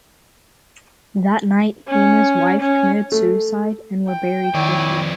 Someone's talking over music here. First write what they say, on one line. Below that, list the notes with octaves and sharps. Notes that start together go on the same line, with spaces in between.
That night, he and his wife committed suicide, and were buried quickly.
C#4
C#4
A3
G5
F2 D#3 E4 C#5 D5 G#5